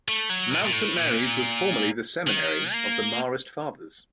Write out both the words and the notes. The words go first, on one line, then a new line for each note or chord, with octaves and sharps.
Mount Saint Mary's was formerly the seminary of the Marist Fathers.
A3
F#3
A#2
A#2
A2
A#2
D#3
A#3